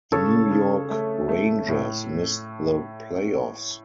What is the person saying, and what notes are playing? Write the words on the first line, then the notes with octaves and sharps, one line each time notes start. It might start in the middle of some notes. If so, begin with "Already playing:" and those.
The New York Rangers missed the playoffs.
C#3 A4 C#5
C#3
A3
A3
A2